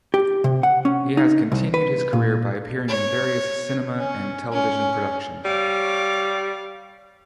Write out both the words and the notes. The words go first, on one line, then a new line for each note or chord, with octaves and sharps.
He has continued his career by appearing in various cinema and television productions.
G4
C3
F#5
C#4
D#4
C2
B4
A#2
C#5
C#4
C#4
G3 C#5 F5 D6